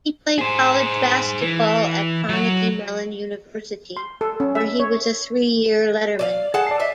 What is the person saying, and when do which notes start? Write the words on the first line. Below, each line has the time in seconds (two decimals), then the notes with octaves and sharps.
He played college basketball at Carnegie Mellon University, where he was a three-year letterman.
0.38 G#4 C5
1.41 E3
2.29 F#3 F#4
3.97 C6
4.21 A4
4.40 C#4
4.55 E5
4.80 C#5
6.19 D5 D#5 F5
6.54 G#4 A4 F#5 A5
6.67 D5 C7
6.80 D#5 E5